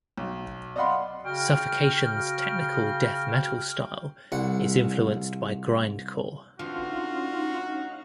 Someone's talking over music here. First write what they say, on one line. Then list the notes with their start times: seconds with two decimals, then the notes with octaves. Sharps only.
Suffocation's technical death metal style is influenced by grindcore.
0.18 B1
0.76 D5 D#5 F5 F#5 B5 C6
1.25 C#3 F#4 G5 F6
4.32 C2 F#5
6.59 D3 A3 C4 C#4 D#4 F4 F#4 F5